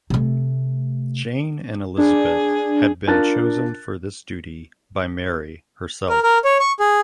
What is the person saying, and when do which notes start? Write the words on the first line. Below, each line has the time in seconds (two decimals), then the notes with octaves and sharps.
Jane and Elizabeth had been chosen for this duty by Mary herself.
0.10 C3 A3
1.98 D4 G#4
3.07 D4 F4 A#4 A5 F#6 A6
6.09 A#4
6.23 A#4
6.45 C#5
6.60 C#6
6.80 G#4